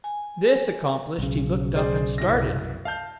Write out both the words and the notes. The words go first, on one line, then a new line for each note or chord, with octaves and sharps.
This accomplished, he looked up and started.
G#5
B1 C#3
G#4 C5 D5
C2 F#2 A#6
F5 A5 G6